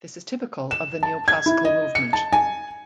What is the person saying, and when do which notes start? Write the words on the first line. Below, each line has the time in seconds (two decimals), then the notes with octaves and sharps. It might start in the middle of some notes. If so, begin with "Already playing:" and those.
This is typical of the Neo-classical movement.
0.71 E7
1.03 A5
1.28 G#6
1.46 E4
1.65 D#5
1.95 C#7
2.13 A5
2.33 G#5